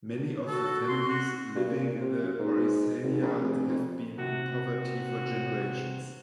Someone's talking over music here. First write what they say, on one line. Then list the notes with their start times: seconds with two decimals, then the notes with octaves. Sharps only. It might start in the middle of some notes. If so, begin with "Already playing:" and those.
Many of the families living in Morrisania have been in poverty for generations.
0.47 F#4 A4
0.88 C6
1.09 F#4
1.55 G2
1.67 A#2
2.00 C3
2.22 F#2
2.39 G#2
3.03 G#1
3.22 A#1
3.40 F1
3.69 F2
4.18 C3 F#4